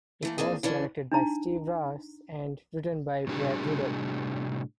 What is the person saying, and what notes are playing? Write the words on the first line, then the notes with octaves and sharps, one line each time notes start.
It was directed by Steve Rash and written by Brad Riddell.
E3 A3 A#3
A#3 C4 D4 G#4
C#3 E3 C#4 D4
D4 D#4 A#5
A2 C3 G3 D4 F#4 G#4